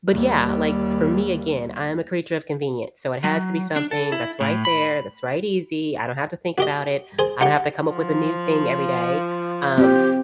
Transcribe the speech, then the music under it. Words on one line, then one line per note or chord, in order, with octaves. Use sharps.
but yeah, like, for me, again, I am a creature of convenience, so it has to be something that's right there, that's right easy, I don't have to think about it, I don't have to come up with a new thing every day, um,
D#2 G3
F#3
D4
A4
E4
A2
B5
F#4 G4 D#5
G#4 C5 G#5
D#4 G4 F#5
F3
C4 G4